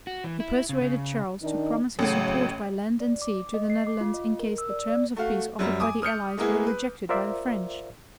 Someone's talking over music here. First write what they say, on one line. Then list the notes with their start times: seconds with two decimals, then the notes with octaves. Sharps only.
He persuaded Charles to promise his support by land and sea to the Netherlands in case the terms of peace offered by the allies were rejected by the French.
0.07 F#4
0.24 E3
0.40 E4
0.69 C#3
0.81 C#3
1.43 D#3 D4 D#4
1.99 A1 A2 C#3 F#3
3.00 D5
3.22 D6
3.54 D#5
3.70 C7
3.87 D6
4.01 F4
4.14 D#5
4.39 A#4
4.58 E6
4.70 D5
4.90 D5
5.16 A3 F#4 F5
5.59 F#2 F#3 G3
5.80 G#5 D6 D#6
6.02 D#6 F6 G6 C#7
6.37 G#3 A#3 B3 E4 G#4
6.67 B4
7.09 F4 A#4 C5 D5 E5 F5